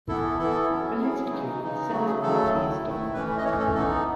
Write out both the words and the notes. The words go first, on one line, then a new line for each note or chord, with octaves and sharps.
Politically, Centre Party is dominant.
E3 B3 E4 A4
E3 B3 E4 A4
F#3 C#4 E4
F#3 C#4 E4 G#4
C#3 E3 G#3 D#4
C#3 E3 G#3 D#4
C#3 F#3 A3 F#4
G#4
C#3 F#3 A3 A4
D#3 A3 E4
D#3 A3 E4
E3 A3 C#4 B4
D#5
E3 A3 C#4 C#5
A4
E3 B3 D#4 A4